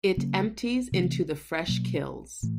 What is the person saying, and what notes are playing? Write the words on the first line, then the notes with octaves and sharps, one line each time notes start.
It empties into the Fresh Kills.
C#3 F#3 A#3 C#4
C3 E3 A3 C4
B2 F#3 A#3
A2 E3 A3